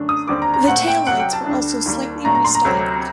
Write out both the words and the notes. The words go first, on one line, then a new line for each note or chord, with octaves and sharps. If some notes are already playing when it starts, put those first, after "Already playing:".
The taillights were also slightly re-styled.
Already playing: F#2 D3 A3 D4
D#6
D#2 D3 G3 C4 D6
A#5
A#5
A#2 A3 C4 F#5
G5
C2 C3 F#3 F#5
G5
A5
D2 D3 G3 D4
D#2 D#3 G3 A#3
A#2 F#3 A3 D4 A#5
A#5
C6
A#5
D2 C3 F#3 C4